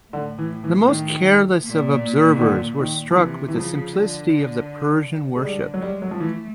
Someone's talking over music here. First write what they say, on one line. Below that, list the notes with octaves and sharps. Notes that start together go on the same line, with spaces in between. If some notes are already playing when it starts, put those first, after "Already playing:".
The most careless of observers were struck with the simplicity of the Persian worship.
A2 D3
E3
E3
D#3
A#2
D#3
D3
D#3
F3
C3 E3
E3
C#3 F3
D3
G#3
D3 G3
F#3
G3 G#3
F#3
F3
E3 A3